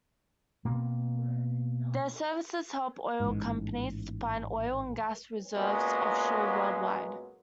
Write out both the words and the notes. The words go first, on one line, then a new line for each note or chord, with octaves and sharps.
Their services help oil companies to find oil and gas reserves offshore worldwide.
B2 A#3 C4
A1 G#2
A#2 F#3 G#3 A#3 B3 C#4